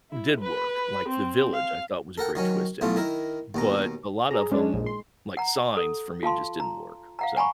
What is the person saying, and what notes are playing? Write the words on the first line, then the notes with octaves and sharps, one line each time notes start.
did work, like, The Village, I thought was a great twist ending, but a lot of 'em, like Signs, for me, just didn't work, so,
E4
B4
C4
F5
A4 A#4 F#5 G5
D#3 F#3 C#4
B1 B2 E3 A3 F4
D#3 E4 A#4
D#2 B2 A#5
G#4 A#5
G#3 C#4 D4
A#1
C6
F#5 A#5
A4
F4 F5 A5 C6
A#5
F5 F#5 A#5
F#5 G#5 A#5 B5 C#6